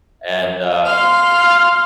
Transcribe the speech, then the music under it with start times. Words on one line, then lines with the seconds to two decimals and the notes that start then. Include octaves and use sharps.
and uh
0.86 F5 C6